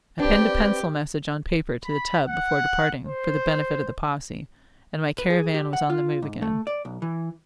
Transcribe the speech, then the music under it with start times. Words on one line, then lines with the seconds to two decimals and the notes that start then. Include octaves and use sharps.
I pinned a penciled message on paper to the tub before departing, for the benefit of the posse, and my caravan was on the move again.
0.20 C4 D4 G4 B4 D5
1.83 B5
2.26 F#5
3.06 C5
5.18 B4
5.30 G#4
5.54 G4
5.73 F#5
5.90 F4
6.22 G#2
6.42 A3
6.67 D5
6.85 B1
7.02 E3